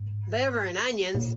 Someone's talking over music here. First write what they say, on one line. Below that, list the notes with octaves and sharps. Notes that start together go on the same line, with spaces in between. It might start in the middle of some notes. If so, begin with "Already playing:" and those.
Liver and onions.
Already playing: G#2
A#2